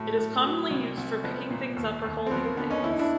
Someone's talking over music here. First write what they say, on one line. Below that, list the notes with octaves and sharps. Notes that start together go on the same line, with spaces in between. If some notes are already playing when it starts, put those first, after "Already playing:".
It is commonly used for picking things up or holding things.
Already playing: A2 F#3
A2
F#3
C2
C2
F3 B3
A#2
D#2
D#2
C4
F3 B3
A#3
D3 B3
C#4 D#4
E2 E4
D#4
D4 E4